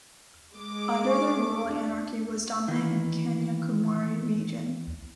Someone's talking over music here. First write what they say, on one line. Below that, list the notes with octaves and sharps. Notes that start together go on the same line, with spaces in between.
Under their rule anarchy was dominant in Kanyakumari region.
G#3 D6
C#4
A3
D4
D#3 E3